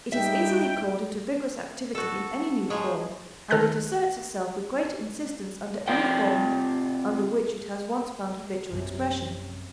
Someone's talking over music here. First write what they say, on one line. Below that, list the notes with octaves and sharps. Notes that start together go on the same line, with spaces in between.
It is easily called into vigorous activity in any new form, and it asserts itself with great insistence under any form under which it has once found habitual expression.
G3 D#4 E5 G5
F#4 A4
F3 F#3 G#3
D#3 A4 A5 F6 F#6 A#6
C3 F4 D5 G5
A#1 F#2 C3 F#3